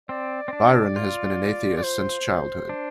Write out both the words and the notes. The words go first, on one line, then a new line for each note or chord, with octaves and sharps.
Byron has been an atheist since childhood.
C4 D5
C4
D4
F4
D5
C5
D4